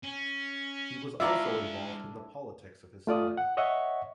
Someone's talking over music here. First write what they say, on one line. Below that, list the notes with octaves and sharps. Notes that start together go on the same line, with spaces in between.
He was also involved in the politics of his time.
C#4
G#3 D4 E4 F4 C#5 D5 E5 A#5
A3 F4 D5 D#6
F#5
C#5 D#5 E5 F#5 C#6